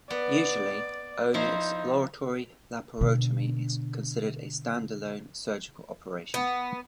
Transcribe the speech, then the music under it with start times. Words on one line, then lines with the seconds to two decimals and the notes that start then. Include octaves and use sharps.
Usually, only exploratory laparotomy is considered a stand-alone surgical operation.
0.10 B3 D5
1.34 F3 D#4 E4 C5
3.01 B2 D3
6.34 B3